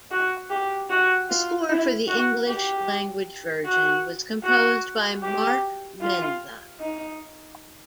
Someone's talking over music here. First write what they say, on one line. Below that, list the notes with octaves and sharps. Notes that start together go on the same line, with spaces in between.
The score for the English-language version was composed by Mark Menza.
F#4
G4
F#4
F4
E4
F#4
G4
F#4
F#4
G4
F4
D#4